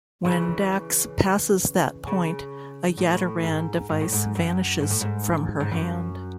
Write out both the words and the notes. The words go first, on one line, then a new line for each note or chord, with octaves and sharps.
When Dax passes that point, a Yaderan device vanishes from her hand.
C#3 E3
C#3
A2
G#2
G#2
A2
G#2
F#2
G#2
A2
G#2
G#2
F#2